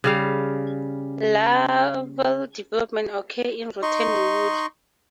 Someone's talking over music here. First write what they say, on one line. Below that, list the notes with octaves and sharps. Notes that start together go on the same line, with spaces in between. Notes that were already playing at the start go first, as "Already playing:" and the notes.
Larval development occur in rotten wood.
C#3 G3 F5
D#4 D#5 C6 C#6